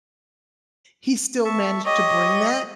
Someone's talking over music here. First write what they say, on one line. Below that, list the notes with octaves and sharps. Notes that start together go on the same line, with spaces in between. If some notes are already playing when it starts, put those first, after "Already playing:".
he still managed to bring that,
E5 A5 C#6
G4 C#5 D#5 C#6